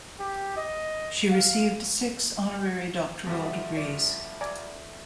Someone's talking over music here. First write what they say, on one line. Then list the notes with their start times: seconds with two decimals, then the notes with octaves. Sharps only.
She received six honorary doctoral degrees.
0.19 G4
0.57 D#5
1.31 F5
3.27 F3 G3 A3 F#4 B4 B5
3.44 D#5
3.77 D5
4.41 D5 G#5 A#5